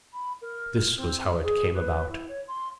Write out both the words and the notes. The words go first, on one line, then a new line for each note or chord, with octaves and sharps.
This was how it came about.
B5
A#4
C4
G#4
B4
E4
C#5
C6